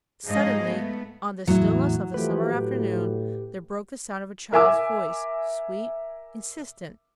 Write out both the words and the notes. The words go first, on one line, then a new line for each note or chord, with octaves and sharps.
Suddenly on the stillness of the summer afternoon there broke the sound of a child's voice, sweet, insistent.
G#2 F3 D#4 G#4 D#5 F5
A3 B3
E2 A2 F#3 E4
E3 F3 A3 G4 B4
A2
A#4 E5 G#5 D6 E6